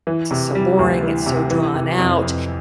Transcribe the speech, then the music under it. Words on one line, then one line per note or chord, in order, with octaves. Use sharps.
is so boring, it's so drawn out."
E3
C3
G3
D2
E3
C3
E3
C3
F2
F2